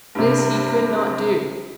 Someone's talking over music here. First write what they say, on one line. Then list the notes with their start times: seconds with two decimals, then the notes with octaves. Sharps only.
This he could not do.
0.15 G2 C3